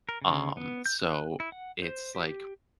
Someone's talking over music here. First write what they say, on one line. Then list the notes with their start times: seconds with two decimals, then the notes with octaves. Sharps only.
Um, so it's like
0.09 A#4
0.22 C#3
0.57 B3
0.86 G6
1.00 F#6
1.40 E4
1.52 F#5
1.82 C5
2.15 G4